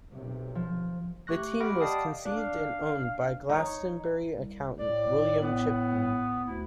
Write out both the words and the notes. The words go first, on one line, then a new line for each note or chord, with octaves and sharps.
The team was conceived and owned by Glastonbury accountant William Chipman.
B1 C3
F3
A3 G4 C#6 F#6 A#6
G4 F#5 B5 F6 A#6 D7
D5 D#5 F5 G5 A5 D#6
D4 F5
D#4 C#5
C2
A2 D5
B3
D2 E4